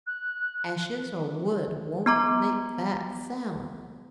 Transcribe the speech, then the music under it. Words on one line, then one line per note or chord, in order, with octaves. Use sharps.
Ashes or wood won't make that sound.
F#6
B3 A#5 D6